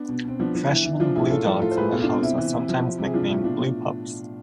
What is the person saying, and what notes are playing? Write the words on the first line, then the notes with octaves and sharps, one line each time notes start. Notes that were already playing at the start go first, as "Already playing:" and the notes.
Freshman Blue Dogs in the House are sometimes nicknamed "Blue Pups".
Already playing: B3 D4
B2
B2 C4
F3 B3 D4
F3
E3
E3
F3 D4 F4
A2 E4 G#4
A2 F4 A4
F3 F4 A4
A2 F4 A4
C5
A2 G#4 B4
B2 F4 A4
D4 F4
B2 C4
C3 C4 E4
E3
C3
F3
C3
C3
G#4
F3 D4 F4
A2
B2 D4 F4